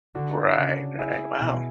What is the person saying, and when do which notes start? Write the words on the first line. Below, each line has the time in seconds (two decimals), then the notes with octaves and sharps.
Right, right. Wow.
0.15 D3 D4 F#4
0.57 C#3
0.99 E4 G#4
1.40 B2